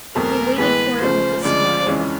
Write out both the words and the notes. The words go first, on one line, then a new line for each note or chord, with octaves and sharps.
They waited for it with a smile.
E2 B2 F#3 A3 C4 A#4
A2 E3 G#3 B3 B4
C#2 C#3 F3 A3 C5
D2 C#3 F3 G#3 D5
F2 C#3 E3 G#3 C#4